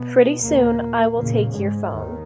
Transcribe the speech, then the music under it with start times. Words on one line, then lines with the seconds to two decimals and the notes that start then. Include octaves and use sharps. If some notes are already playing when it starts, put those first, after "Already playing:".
Pretty soon, I will take your phone.
Already playing: B2 B3
0.41 D#2 A#2 C#3 A#3
1.17 E2 A#2 C#3 A#3
1.54 G#2 G#3
1.92 D#2 D#3